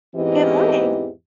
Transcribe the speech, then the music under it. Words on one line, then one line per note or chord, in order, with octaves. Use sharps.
Good morning.
E2 G#2 E3 C4 G4 D#5